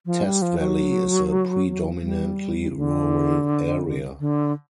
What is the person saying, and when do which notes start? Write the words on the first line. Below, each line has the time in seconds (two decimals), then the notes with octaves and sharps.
Test Valley is a predominantly rural area.
0.06 F3
0.24 G3
0.42 F3
0.59 F#3
2.03 G3
2.76 D3
4.20 D3